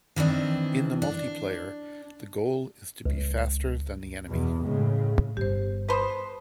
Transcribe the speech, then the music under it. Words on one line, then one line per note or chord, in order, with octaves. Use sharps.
In the multiplayer, the goal is to be faster than the enemy.
D#3 E3 C4 D4
D4
C#2
E2 B2
A2 C#3 G#3
G1 B3 G4 C5
B4 C5 A5 C6 D#6